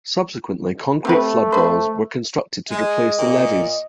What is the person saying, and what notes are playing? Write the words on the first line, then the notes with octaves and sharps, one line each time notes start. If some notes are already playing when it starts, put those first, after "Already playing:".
Subsequently, concrete floodwalls were constructed to replace the levees.
A3 C4 G4 B4
B4 C5
G#3 D#5
A#2